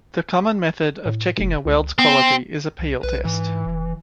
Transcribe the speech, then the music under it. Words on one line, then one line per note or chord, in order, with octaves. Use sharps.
The common method of checking a weld's quality is a peel test.
A2
F1
C#2
B3 C4
C2
B1 B4
G#2 E3
F1